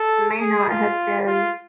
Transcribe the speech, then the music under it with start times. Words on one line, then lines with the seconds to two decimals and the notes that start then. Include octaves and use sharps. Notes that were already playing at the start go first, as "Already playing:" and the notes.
may not have been
Already playing: A4
0.40 G#4
0.69 F4
1.26 F4